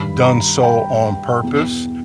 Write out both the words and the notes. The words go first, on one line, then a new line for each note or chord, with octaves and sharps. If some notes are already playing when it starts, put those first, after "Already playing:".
done so on purpose.
Already playing: G2 D#3 B5
A#5
G5
E2 B2